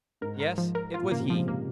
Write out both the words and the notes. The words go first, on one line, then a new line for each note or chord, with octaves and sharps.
Yes! it was he.
G#2 A#4
A#4
F3
A#4
F4
A#2
C#3 A#3
C3
G#2 F3
A#3